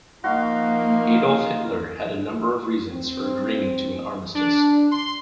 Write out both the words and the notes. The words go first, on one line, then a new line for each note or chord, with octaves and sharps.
Adolf Hitler had a number of reasons for agreeing to an armistice.
F3 A#3 D#4 F#4 F5 C6
C4
D4
C6